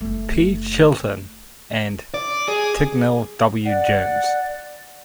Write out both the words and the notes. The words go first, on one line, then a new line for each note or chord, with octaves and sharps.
P. Chilton, and Tignall W. Jones.
F#1 A3
D5
G#4
D5 F#5